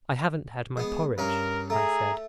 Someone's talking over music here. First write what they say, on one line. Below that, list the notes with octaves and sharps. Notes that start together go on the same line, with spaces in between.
"I haven't had my porridge," I said.
G#3 B3
G2 C#4 A#4 A#5
A3 G#4 A#5